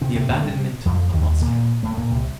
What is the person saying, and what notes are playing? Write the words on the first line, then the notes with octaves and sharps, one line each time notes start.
"The abandonment of Moscow."
C3 C4
C3 C4
A2 A3
G2 G3
F2 F3
D#2 D#3
A#2 A#3
A2 A3
A#2 A#3
C2 C3